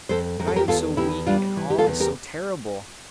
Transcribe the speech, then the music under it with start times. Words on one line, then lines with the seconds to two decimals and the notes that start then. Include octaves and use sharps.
But I am so weak, and all is so terrible.
0.09 F2 A4 C5
0.39 F2 A#4
0.48 A4
0.56 G4 A#4
0.68 E2 F4 A4
0.97 E2 E4 G4
1.26 G3 D4 F4
1.57 E3
1.70 G4
1.78 F4 A4
1.86 E2
2.00 G4 A#4